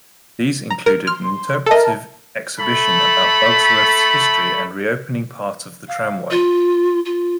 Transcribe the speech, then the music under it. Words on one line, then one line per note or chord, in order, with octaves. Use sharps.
These include an interpretative exhibition about Bugsworth's history and reopening part of the tramway.
A#5
A#4
C6 F6
A4 A#4 D#5 E5 A5
A3 A4 B5
F5
F4
F4